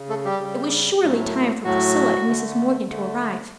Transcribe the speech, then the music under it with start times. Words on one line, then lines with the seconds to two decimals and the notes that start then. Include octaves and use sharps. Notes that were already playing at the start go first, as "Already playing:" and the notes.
It was surely time for Priscilla and Mrs. Morgan to arrive.
Already playing: C#3
0.09 A3 A4
0.25 G3 G4
0.40 C#3 G3
1.03 A2 F#3 A3
1.64 A2 F#3 A3 F#4
2.26 D3 A3
2.88 D3 A3